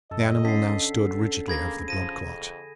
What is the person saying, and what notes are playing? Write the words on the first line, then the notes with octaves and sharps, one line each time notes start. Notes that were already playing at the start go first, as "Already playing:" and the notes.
The animal now stood rigidly over the blood clot.
F#2 A4 D#5
D3 C#4 B6 C7
A#3 G#4 B5 G#6 A#6
F3 A#6 D#7
F2